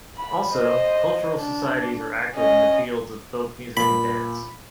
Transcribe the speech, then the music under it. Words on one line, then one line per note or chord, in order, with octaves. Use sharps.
Also, cultural societies are active in the fields of folk music and dance.
B5
C5 D#5
D4
C#4 D#5
A#2 B5